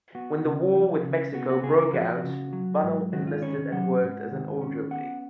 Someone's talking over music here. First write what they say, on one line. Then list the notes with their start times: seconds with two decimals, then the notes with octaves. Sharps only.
When the War with Mexico broke out, Bunnell enlisted and worked as an orderly.
0.15 B3 F#4
0.44 C#3
0.74 F3
1.04 C#3
1.34 B3 F#4
1.49 F#4
1.63 C#3 G#4
1.78 A#4
1.93 F3 F#4
2.23 C#3
2.53 F#3
2.83 G#2
3.12 D#3 F#4
3.27 F4
3.42 C#4 C#5
3.72 F#3 F#5
4.02 G#2
4.32 D#3
4.61 C#4
4.91 B3 F#5